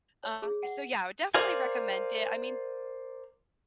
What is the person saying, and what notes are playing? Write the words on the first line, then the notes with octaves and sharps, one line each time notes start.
Uh, so yeah, I would definitely recommend it. I mean,
C#5
G#4
F#5
A#4 C5 D5 F5 G#5